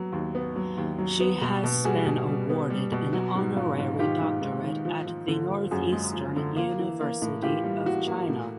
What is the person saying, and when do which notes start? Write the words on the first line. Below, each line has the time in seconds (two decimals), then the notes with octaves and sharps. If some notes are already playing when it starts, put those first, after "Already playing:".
She has been awarded an honorary doctorate at The Northeastern University of China.
Already playing: F#3 B3 F#4
0.13 D#2
0.35 B3
0.56 F#3
0.78 D#2
0.98 F#3
1.20 B3
1.42 B2
1.64 B2
1.84 G3 F#4 G#4
2.06 B2
2.27 G3
2.49 B3
2.70 G3
2.92 B2
3.13 F#3 F#4
3.35 G#2
3.56 G#2 F4
3.78 G#2
3.99 D#3 F4 G4
4.21 G#2
4.42 G#2
4.64 D#3
4.85 F3
5.07 F3
5.28 D3
5.50 F3
5.71 F#2 F#4 G#4
5.92 G#3
6.14 F3
6.36 D3
6.56 A#3
6.79 E3
7.01 A#3
7.22 A2
7.42 E3 F4 G4
7.64 G3
7.86 E3 F#4
8.07 A#3
8.28 A2